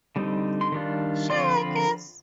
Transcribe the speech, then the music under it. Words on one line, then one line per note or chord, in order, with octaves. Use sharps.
Sure, I guess.
D3 G3 C4 D#4
C6
D#3 G3 D4 F4
D3 F3 C4 F4 C6
B5